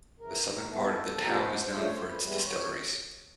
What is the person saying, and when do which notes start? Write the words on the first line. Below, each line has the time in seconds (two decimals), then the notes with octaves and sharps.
The southern part of the town is known for its distilleries.
0.20 F#2 C#3 E3 A#4
0.70 D3 G3 B3 E4 A4
1.20 C3 F3 A#3 D4 A#4
1.33 B4
1.45 C5
1.58 C5
1.70 C#3 F3 A3 D4 C5
1.83 C#5
1.95 C5
2.08 B4
2.20 G#2 E3 G3 B3
2.38 C5
2.45 C#5